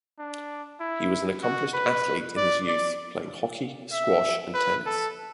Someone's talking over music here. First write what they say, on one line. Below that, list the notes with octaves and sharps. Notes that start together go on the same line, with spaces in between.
He was an accomplished athlete in his youth, playing hockey, squash and tennis.
D4
E4
F#4
B4
D5
D5
E5
B4
A4